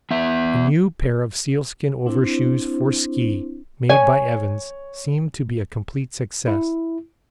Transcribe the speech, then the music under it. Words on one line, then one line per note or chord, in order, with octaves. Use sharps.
A new pair of sealskin overshoes for ski made by Evans seem to be a complete success.
B3 E5
C4 D4 E4 C5
C#5 G#5
E4